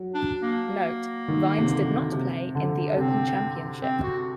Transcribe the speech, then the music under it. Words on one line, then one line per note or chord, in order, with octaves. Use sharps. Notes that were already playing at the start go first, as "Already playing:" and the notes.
Note: Vines did not play in The Open Championship.
Already playing: F#3
D4
A#3
D#3
C3
D3
C3
D3
C3 C4
C4
F#4